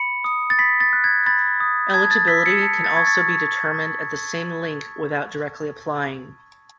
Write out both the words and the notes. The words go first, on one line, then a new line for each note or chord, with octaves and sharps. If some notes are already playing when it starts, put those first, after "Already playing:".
Eligibility can also be determined at the same link without directly applying.
Already playing: B5 C#7
D#6
A6
B5 B6
A6
F#6
G#6
B5 A6
D#6
A5 G#6
A6
E6 B6
C#7
A5
A6
C#6 G#6
A6